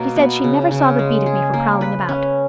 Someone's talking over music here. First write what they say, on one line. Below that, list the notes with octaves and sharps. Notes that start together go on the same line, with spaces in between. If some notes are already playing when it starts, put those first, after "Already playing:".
She said she never saw the beat of me for prowling about.
Already playing: B2 A#3 C#4
B3
C#3
C#3
G#3
G#4
A#3
B4
C#4